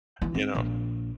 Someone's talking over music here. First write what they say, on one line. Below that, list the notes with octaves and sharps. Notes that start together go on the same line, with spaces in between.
you know?
E3
C4
A#1